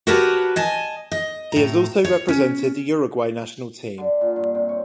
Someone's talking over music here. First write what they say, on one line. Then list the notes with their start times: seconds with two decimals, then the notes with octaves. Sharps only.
He has also represented the Uruguay national team.
0.07 F#4 G4 A#4 B4 C#5 A5
0.56 D#5 G#5 A5
1.12 D#5
1.52 A2 A#5
2.05 C#5
2.28 C#4
3.98 D3
4.21 A#2
4.36 G2
4.55 C3
4.69 C#5